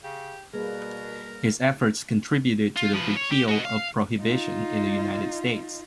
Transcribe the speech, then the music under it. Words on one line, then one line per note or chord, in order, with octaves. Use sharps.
His efforts contributed to the repeal of prohibition in the United States.
C#3 G4
B2 G3 A#3 G#4 A#4 B4
F4
F3 B4
C#5
G4
F#4 D#5
F5
D#4 F4